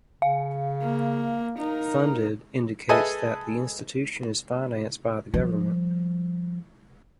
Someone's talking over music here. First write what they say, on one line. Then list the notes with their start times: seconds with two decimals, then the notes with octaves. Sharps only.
Funded indicates that the institution is financed by the government.
0.22 C#3 F5
0.82 A#3
1.59 D#4 A#4
2.89 G#4 A4 B4 D#5 E5 G#5
5.34 F3 G3